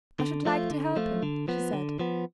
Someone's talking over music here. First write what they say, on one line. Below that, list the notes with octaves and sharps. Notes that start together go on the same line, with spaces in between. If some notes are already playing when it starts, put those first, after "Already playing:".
'I should like to help him,' she said.
D3
F3 A3 F4
D3
F3 A3 F4
D3
F3 B3
D3
F3 B3